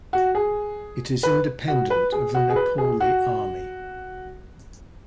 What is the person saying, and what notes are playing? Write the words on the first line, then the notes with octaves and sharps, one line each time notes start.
It is independent of the Nepali Army.
F#4
G#4
B4
F#4
B4
G#4
F#4
G#4
B4
G#4
F#4